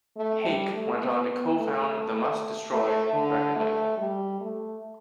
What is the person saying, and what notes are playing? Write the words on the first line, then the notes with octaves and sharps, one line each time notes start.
Hake went on to co-found the Must Destroy record label.
A3
G3
A3
B3
B3
A3
A3
D3
A3
G3
A3